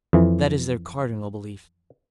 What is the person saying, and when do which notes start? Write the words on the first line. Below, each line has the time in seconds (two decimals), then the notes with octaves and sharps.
That is their cardinal belief.
0.13 F2 E3